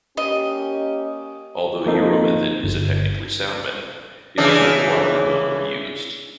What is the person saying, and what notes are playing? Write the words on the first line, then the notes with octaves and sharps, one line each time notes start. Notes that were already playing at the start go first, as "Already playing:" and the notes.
Although Euromethod is a technically sound method it was never widely known or used.
A#3 C#4 G4 D#5
F3 A#3 C4 D#4 A4
G1
C#3 E3 D4